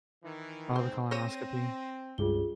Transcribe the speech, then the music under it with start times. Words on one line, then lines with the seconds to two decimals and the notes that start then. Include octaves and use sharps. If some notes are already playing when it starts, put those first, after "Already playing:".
Oh, the colonoscopy.
0.23 D#3 E3
0.76 G#2 C4 C5
1.11 C4 C5 C#5 A#6 D#7 E7
2.18 C#2 G2 F4 G#4 G7